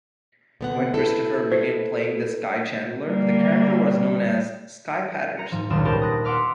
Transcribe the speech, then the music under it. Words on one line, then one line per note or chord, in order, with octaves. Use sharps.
When Christopher began playing Skye Chandler, the character was known as Skye Patterson.
D3 B3 F#5
E4 A4 B4
C5
D3 G3 A#3
A#5 C#7
G#2 F3
D#1 C#2 F#2 D4 E7
B3 G4 A#4 C5 A5
D#6 F#6 A#6
E5 F#5 C6 D6 F6 B6